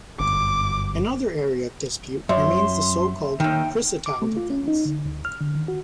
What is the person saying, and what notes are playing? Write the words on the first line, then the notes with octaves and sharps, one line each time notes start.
Another area of dispute remains the so-called chrysotile-defense.
G1 F#2 D6
F#2 C#5 E5 C6
D#2 D#3 G5
D6
A3
F4
C#4
D#4
D3
D2
F6
D3
D#3
F#4